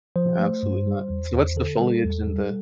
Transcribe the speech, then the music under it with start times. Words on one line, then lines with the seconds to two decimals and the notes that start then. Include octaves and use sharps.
Absolutely not. So, what's the foliage and the
0.16 F3 C5
0.39 A3
0.63 G2
0.86 G3
1.10 E2
1.33 E2
1.56 D3 A4
1.80 G3
2.05 E2
2.27 G3